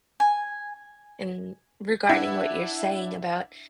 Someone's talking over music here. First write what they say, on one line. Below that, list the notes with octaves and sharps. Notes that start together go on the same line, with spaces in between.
and regarding what you're saying about,
G#5
D4 E4 F#5